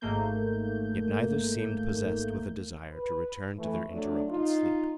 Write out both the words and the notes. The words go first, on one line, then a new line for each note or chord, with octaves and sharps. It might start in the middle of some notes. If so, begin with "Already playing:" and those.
Yet neither seemed possessed with a desire to return to their interrupted sleep.
G#1 G#2 A3 A#3 G6
B4
E3 A3
F#3 A3 D4
D#4 F4